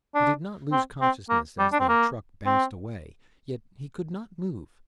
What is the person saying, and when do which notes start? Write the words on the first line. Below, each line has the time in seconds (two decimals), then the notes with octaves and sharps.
He did not lose consciousness as the truck bounced away, yet he could not move.
0.15 D4
0.72 C4
1.01 C4
1.30 A#3
1.59 G3
1.73 D4
1.80 C4
1.89 A#3
2.46 C4